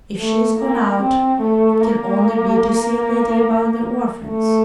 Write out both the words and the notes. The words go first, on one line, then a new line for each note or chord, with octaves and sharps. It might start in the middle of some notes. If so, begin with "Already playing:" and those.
If she's gone out, it can only be to see a lady about the orphans.
A3
A#3
C4
A3
A#3
A3